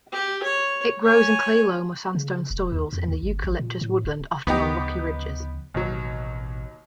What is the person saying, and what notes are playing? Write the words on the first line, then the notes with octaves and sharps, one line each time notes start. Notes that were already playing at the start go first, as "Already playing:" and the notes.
It grows in clay-loam or sandstone soils in "Eucalyptus" woodland, often on rocky ridges.
G4
C#5
C#5 G#5
C#3
E1
D#2
F2
D#2
G1
A1
A#2
A2
D1
D2 C#3 F3 B3 D#4 G4
A1 D#2 B2 F#3